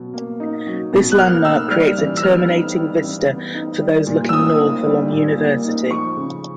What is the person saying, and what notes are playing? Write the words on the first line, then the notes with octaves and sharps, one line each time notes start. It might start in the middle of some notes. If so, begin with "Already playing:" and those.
This landmark creates a terminating vista for those looking north along University.
Already playing: B2 F#3
A#3
D#4
F#3
B2
F#6
A#3 F6
D#4 E6
G3 F6
E3
E6
B3 F6
D#4
G3
E3
B3
D#4
G3
A#2
E6
A#3 D#6
D#4
G3
A#2
A#3
D#4
F3 C#6
C#3